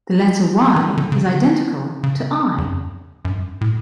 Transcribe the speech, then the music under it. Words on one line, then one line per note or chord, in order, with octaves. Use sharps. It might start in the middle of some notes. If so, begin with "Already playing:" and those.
The letter "y" is identical to 'i'.
E3
D3
C#3
D3
C#3
E2
F#2
F#2
G2
A2